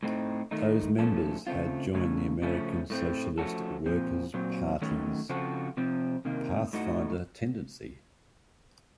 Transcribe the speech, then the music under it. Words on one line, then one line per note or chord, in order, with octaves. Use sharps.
Those members had joined the American Socialist Workers Party's Pathfinder tendency.
A2 A3 C4 D#4
D#3 A3 D#4
A#2 F3 A3 C#4 A4
C#3 A3 C4 F4
C#3 A3 C#4
C#3 F3 A3 C#4
A2 A3 C4
F3 A3 C#4 F#4 A4
A#2 F3 C4
A#2 F#3 C4
D#3 F#3 A3 C#4
C#3 F3 C4 F#4 A4
C3 F3 C4
C3 D#3 A#3
A2 A3 D#4 F#4